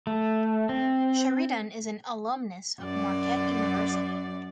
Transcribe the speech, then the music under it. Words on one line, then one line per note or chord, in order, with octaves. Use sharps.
Sheridan is an alumnus of Marquette University.
A3
C4
F#2 D5